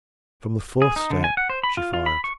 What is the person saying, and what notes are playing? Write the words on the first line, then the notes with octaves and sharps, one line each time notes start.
From the fourth step she fired.
G#4
D#4
D3
G#5
F#5
C5
B5
F4
F4
B5
C#6